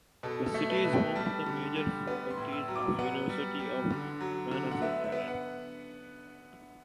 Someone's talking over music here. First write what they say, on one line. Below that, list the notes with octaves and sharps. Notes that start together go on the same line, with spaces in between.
The city is home to the major faculties of the University of Mazandaran.
B2 A4
A4
A3
B4
B2
G5
G3 A5
D3
G3
B3
C6
A2
E6
F#3
D6
B3 F#5
G3
G3
D3
F#3
D3
F#5
B3 E5
E5
B3
F#5